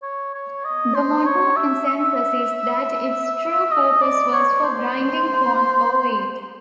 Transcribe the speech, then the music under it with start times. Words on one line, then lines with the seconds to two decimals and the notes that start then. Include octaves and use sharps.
The modern consensus is that its true purpose was for grinding corn or wheat.
0.02 C#5
0.34 C#5
0.65 D#5
0.95 C5
1.26 C#5
1.56 E5
1.87 E5
3.71 D#5
4.02 D5
4.33 C#5
4.64 C5